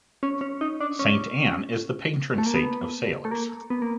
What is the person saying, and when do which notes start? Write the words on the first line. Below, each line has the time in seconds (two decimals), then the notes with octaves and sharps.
Saint Anne is the patron saint of sailors.
0.23 C#4
0.41 C#4
0.61 D#4
0.81 D4
0.99 C#4
2.38 A3
2.46 A#3
2.55 B3
3.25 A3
3.31 A#3
3.70 B3
3.82 A#3